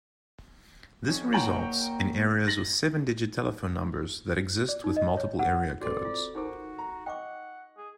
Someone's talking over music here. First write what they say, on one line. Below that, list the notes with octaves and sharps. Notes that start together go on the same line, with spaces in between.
This results in areas with seven-digit telephone numbers that exist with multiple area codes.
F2 C#4
A#3 F#4 C#5 G5 A#5 F#7
A6 A#6 F#7
D5
D#4
D#5
C#5
F#5
C4 F#4 A4 D5 C6
F4
D#4 F#4 A#4 C5 D6
A#5
D#5 F#5 G5 C#6 D6
G#4